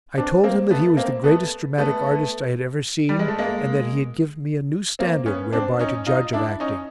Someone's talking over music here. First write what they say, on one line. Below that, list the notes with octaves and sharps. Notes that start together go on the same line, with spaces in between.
I told him that he was the greatest dramatic artist I had ever seen and that he had given me a new standard whereby to judge of acting.
C4 D4
A#3 C4
A3 B3
A#3 C4
A3 B3
A3 B3
G3
G#3
A3
G#3 A#3
A#3 C4
B3 C#4
C4 D4
C#4 D#4
D#4 F4
D4 E4
C#4 D#4